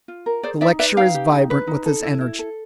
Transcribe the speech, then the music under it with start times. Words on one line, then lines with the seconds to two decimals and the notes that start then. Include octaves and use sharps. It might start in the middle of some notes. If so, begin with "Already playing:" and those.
The lecture is vibrant with his energy.
0.08 F4
0.26 A#4
0.43 G#4 C5 D5
0.61 D#4 D5 E5
0.79 B4 D5 E5
0.97 D#4 F5 G5
1.14 G4
1.32 D#4
1.50 B4
1.67 D#4
1.86 A4
2.03 E4
2.21 E4
2.39 A4